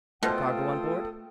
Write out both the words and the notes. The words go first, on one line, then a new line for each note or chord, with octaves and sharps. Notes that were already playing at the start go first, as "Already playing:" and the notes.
"The cargo on board?"
B2 A3 F4 A4 C5 G5 D#6